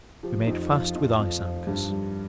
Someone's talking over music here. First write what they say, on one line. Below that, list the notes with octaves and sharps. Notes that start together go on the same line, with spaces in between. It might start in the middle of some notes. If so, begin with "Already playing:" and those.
We made fast with ice anchors.
F3 G4
F2 D#4
F3 F4
F2
F2
F3
G2 G4
G3